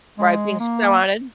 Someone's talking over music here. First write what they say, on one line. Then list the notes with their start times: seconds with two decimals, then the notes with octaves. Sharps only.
Right, being so on.
0.18 G#3
0.60 A#3